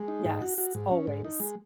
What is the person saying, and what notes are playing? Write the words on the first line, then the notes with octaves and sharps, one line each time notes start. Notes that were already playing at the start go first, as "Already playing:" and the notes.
Yes, always.
Already playing: G#3
D#4
G#2
F#4
F#4
G#2
C#4
G#2
D#4
G#3